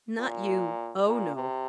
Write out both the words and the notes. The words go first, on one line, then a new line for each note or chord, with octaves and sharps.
"Not you--oh no!"
A#2
A#2
C3